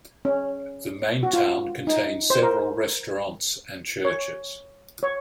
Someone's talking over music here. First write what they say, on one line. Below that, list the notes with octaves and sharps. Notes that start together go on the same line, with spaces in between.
The main town contains several restaurants and churches.
C#4
F#4
F4
D#4
C5
A#4
C#5
C#5